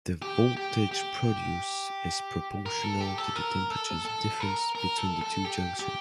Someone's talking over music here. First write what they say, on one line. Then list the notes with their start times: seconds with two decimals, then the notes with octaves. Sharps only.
The voltage produced is proportional to the temperature difference between the two junctions.
0.22 G4
0.57 G4
0.91 G4
2.66 A#4
2.83 A4
3.01 G4
3.18 A4
3.36 A#4
3.70 A4
4.05 A4
4.40 A#4
4.75 A#4
4.98 A4
5.21 A4
5.45 G4
5.79 G4